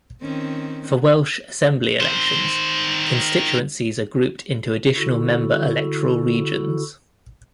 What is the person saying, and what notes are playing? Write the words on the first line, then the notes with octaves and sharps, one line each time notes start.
For Welsh Assembly elections, constituencies are grouped into additional member electoral regions.
D#3 C4 C#4
D#3 C5
D3 E4 F#4 A4